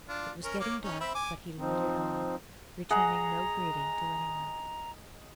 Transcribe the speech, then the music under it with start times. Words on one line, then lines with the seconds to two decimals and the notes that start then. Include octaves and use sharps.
It was getting dark, but he loitered on, returning no greeting to any one.
0.09 D4 F4
0.44 C#4 A#4
0.60 A#3 C#5 D6
0.82 C#4 D#4
1.01 C4 E5 B5
1.15 G#5 D6
1.59 F3 C4 D#4
2.90 G#4 D#5 F#5 A#5